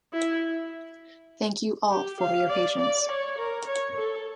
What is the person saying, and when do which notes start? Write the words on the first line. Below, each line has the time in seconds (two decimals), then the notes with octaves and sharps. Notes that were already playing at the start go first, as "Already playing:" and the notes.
Thank you all for your patience.
0.13 E4
1.91 G4
2.20 F5
2.49 D5
2.78 D5
3.08 C#5
3.38 A#4
3.67 C#5
3.97 A4